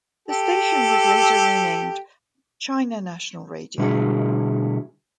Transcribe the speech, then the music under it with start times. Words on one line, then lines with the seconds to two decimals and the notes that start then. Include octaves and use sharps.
The station was later renamed China National Radio.
0.28 G4 A4
3.78 B2 D3 G3 E4 F#4 G#4